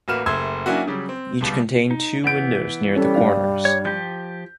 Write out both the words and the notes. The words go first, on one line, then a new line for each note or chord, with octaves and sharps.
Each contains two windows near the corners.
A1 A#3 F#4 B4 F6 E7
F#1 A3 C6 E6 G#6
F#3 A#3 C#4 D4 E4 F#4
C#3 F#3 G3
C4
C#2 B2 G3
D#4
E3 B3 F#5 G6 D7
G3 C#4 A4
G2 D4 F5
C#5
F3 G4 G6